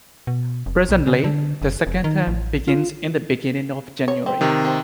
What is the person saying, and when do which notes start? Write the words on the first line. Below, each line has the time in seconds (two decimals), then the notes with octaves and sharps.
Presently, the second term begins in the beginning of January.
0.27 B2
0.66 F1
0.89 B1
1.07 C#3
1.24 D3
1.62 F#1
1.87 F1
2.04 D#3
2.27 A1
2.68 F4
4.08 C#5
4.26 C4
4.41 C3 D#3
4.65 C4